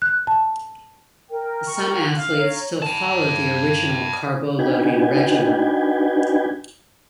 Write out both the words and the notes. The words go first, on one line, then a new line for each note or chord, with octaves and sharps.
Some athletes still follow the original carbo-loading regimen.
F#6
A5
A#4 G5
C#6
F5
C#5 A#5
G5 A5
D4 D#4 F#4 B4 G5 G#5